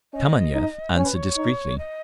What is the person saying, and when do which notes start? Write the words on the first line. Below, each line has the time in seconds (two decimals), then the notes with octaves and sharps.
Kameniev answered discreetly.
0.13 C#4 D#5
0.54 D#4
0.95 C#4 C#5
1.05 B4
1.15 C#5
1.37 D#4
1.78 D#5